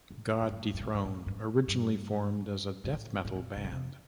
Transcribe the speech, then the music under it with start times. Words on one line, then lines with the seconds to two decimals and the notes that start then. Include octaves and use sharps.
God Dethroned originally formed as a death metal band.
0.10 F2
0.42 G2
0.51 F2
0.57 G2
0.74 G2
0.80 A2
0.84 G2
0.95 A2
1.05 A2
1.26 G2
1.36 A2
1.68 G2
2.84 G2
2.93 A2
3.25 A2
3.36 A#2
3.56 C3
3.64 A#2
3.72 C3